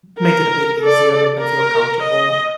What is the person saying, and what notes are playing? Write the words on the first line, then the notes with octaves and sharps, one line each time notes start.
make it a bit easier, make them feel comfortable.
A#4
A4 D5
A#4
D#5